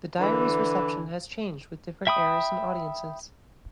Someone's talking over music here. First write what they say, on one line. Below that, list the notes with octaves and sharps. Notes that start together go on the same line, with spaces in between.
The diary’s reception has changed with different eras and audiences.
D3 E3
E5 G5 B5 D#6